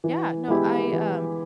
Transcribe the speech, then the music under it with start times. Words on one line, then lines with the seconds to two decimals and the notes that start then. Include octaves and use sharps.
Yeah, no, I, um
0.04 E3
0.48 G#3 B3 E4 G4
0.93 E3